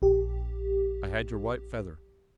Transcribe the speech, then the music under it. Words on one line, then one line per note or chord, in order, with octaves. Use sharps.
"I had your white feather."
A#1 G4